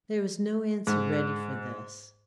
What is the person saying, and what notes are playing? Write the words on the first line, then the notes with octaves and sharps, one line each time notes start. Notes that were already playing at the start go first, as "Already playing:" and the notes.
There was no answer ready for this.
G#2